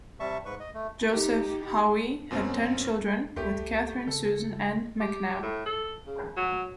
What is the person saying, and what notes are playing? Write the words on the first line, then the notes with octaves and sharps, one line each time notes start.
Joseph Howe had ten children with Catherine Susan Ann McNab.
C3 G3 E5 A5 C#6
G#2 B4 C#6
D#5
A3
D#4 G4
F#2 B2 C4 C#4
C#2 A3 G4
C#2
C#3 A4
G4
A2
A4
C#3
F#3